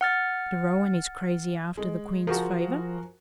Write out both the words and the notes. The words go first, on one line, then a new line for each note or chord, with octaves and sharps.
De Rohan is crazy after the Queen's favor.
F#5 F6 A6
G#3
F3 F#4 G#4 A#4